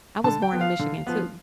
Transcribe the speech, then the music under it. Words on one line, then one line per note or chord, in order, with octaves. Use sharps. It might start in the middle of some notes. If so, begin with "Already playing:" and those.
I was born in Michigan too.
D3 A5
G5
F3 B3
F5
D3
F3 B3